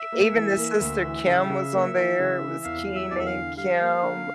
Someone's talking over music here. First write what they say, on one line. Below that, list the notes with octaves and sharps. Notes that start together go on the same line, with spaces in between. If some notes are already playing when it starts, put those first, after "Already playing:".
E even the sister Kim was on there. It was Keenen, Kim,
Already playing: E5
A#3
E3
A#3
D2
E3
C#3
C#3
A#3
E3
C#3
E3
E2 F5
G3
E5
E2 D5
E5
F5
D3
G3 F5
A#3
D3